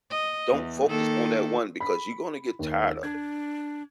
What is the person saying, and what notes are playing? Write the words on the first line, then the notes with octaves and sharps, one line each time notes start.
don't focus on that one, because you're gonna get tired of it.
D#5
E2
D#3 A#3 A4
B5 B6
D#2
D4 G#6